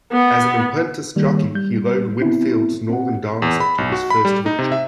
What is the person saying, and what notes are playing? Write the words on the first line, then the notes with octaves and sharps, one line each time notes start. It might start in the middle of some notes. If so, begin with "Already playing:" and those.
As an apprentice jockey he rode Windfields' Northern Dancer to his first victory.
B3
D#3 G3 A#3
G3 G6
B3 C4 E4
C4 F#5
E2
B5
B1
F#4
B5
G3
D#4
C3
E5